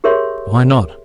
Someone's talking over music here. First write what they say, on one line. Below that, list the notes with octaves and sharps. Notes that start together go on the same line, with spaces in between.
Why not?
G4 G#4 A#4 C#5 E5 C6